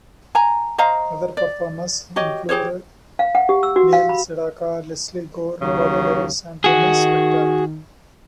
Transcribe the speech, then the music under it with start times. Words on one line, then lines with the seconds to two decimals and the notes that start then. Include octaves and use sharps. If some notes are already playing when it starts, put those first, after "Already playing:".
Other performers included Neil Sedaka, Lesley Gore, Bobby Lewis and Ronnie Spector.
0.35 G#5 A#5
0.78 C5 D#5 F5 A#5
1.37 D5
2.16 F#4 G4 C#5 D#5
2.49 G4 G#4 C5 C#5
3.19 F5
3.35 F#5
3.49 G4
3.63 E6
3.76 F#4
3.93 F5
4.09 B5
5.61 D#2 C#3 F#3
6.64 D#3 F#4 G#4